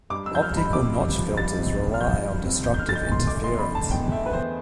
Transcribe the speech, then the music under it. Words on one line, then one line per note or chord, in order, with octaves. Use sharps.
Optical notch filters rely on destructive interference.
G2 D6
E6
F3 G6
F6
G2
B5
C4 D6
G2
F3
G2 A6
C4
G2
F6
F3 G6
G2
C4
E2 G6
G6
F6
D3 A6
G6
E2
C6
A3 D6
C6
E2
B5
D3
A5
E2 G5
A3 E5
B4
E2 C5